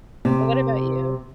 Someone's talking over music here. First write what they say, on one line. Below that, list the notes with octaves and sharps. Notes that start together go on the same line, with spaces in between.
And what about you?
C3